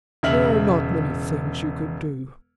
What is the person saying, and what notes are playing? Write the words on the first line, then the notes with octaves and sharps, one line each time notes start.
"There are not many things you could do."
E1 C#3 E5 F6 F#7